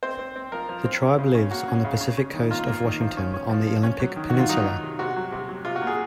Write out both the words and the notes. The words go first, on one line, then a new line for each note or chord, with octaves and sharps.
The tribe lives on the Pacific Coast of Washington on the Olympic Peninsula.
C4 C5
C4
C4
F3 A#4
F3
C4
C#4
C#3
C#4
A#3 F#4
C#4
C#3
C#4
C#4
D#3
A#3 F4
A#3
D#3
F3
C#4
C#4
F3
F3
C#4
F#3
D#3
D#3 F#4
F4
F#3 D#4
D#3
C3
C3 F#4
F#3
C3
F#3
C3 F4
F#4
A#3
G#4